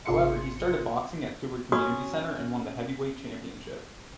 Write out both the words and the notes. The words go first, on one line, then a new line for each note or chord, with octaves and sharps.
However, he started boxing at Seward Community Center and won the heavyweight championship.
G#1 C3 F4 G#4 C6 C#7
C#4 F#4 D#6